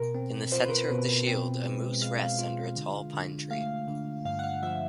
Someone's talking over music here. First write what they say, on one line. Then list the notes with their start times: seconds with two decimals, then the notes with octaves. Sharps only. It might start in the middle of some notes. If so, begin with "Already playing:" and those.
In the center of the shield, a moose rests under a tall pine tree.
Already playing: B2 A#4
0.15 C4
0.52 F4 C5
0.62 B4
0.70 A#4
0.79 B4
0.90 B2
1.27 C4
1.65 G#3
2.01 G#3 F5
2.39 F4
2.76 D3
3.13 D3
3.50 A3 F5
3.88 D3
4.25 G2 F5
4.39 F#5
4.44 F5
4.63 F3 E5